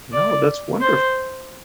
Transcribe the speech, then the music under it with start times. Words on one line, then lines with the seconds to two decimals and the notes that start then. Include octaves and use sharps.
No, that's wonderf
0.12 D5
0.81 C5